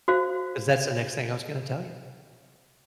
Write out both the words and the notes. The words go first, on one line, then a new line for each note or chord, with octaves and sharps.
'cause that's the next thing I was gonna tell ya.
F#4 C5 F5